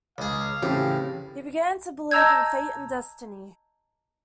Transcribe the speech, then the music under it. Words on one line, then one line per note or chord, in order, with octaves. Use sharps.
He began to believe in fate and destiny.
C#2 G#4 F5
A2 C#3 E3 C4 G4
D#5 A5 A#5 E6 G6 G#6